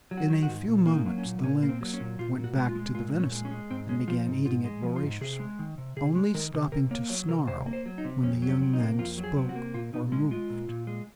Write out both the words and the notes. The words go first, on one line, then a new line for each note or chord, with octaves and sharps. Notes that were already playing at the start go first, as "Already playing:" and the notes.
In a few moments the lynx went back to the venison, and began eating it voraciously, only stopping to snarl when the young men spoke or moved.
F#3
F#4
D#3
F#4
G#2
A#2
A#3
D#4
F#3
C#4
A#2
A#2 C#4
A#3
C4
F#3
C#4
A#2
A#2 F4
A#2
F#4
G#3
F4
G#3
A#2 F4
A#2
C#4
G#3
C#4
G#3
G#2 C4
G#3 C#4
F3 F4
G#2
G#2 F4
G#3
F3
F4
G#2
C3 G#4
G#3
D#3
C3
C3 G#4
G#3
D#3 A#4
C3
C3 A#4
A#3 C#5
F#3 C#5
C3 A#4
C3 C5
A#3
C5
F#3
D#4
C3
F2 C#4
F#3
C#4
C3
D#4
A#3
F2 F4
F#3
G#4
C3
F#4
A#3
A#2 F4
A#2 D#4
G#3 C#4
G#3 F4
A#2
A#2
G#3